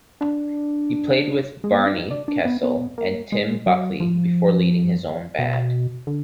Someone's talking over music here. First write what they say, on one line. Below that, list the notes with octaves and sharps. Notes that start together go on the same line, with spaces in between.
He played with Barney Kessell and Tim Buckley before leading his own band.
D4
G#3
A#3
B3
D4
D#4
D4
D4
B3
B3
A#3
G#3
F#3
F3
B2
D3